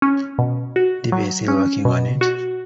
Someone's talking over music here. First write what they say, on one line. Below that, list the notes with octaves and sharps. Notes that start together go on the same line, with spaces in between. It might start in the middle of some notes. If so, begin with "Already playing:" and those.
Divya is still working on it.
C#4
B2
F#4
F#3
C#4
B2
F#4